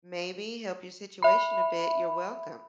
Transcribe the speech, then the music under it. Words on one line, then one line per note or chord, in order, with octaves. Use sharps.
maybe help your situation a bit, you're welcome.
E5 B5